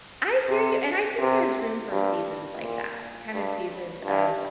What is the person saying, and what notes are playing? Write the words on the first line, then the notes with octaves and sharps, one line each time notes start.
I hear you and I think there's room for seasons like that, kind of seasons of
C3
C3
G2
A#2
G2
G2